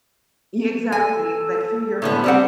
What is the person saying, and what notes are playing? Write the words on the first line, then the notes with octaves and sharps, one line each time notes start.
Yeah, exactly, like, through your own
A4 G#5
A2 D3 B3
G3 C4 F#5